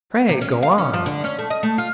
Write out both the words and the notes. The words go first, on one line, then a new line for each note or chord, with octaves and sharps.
Pray go on!
C3
C#4
F5
C#4
F3
D3
C#4
A3
D#5
A3
F4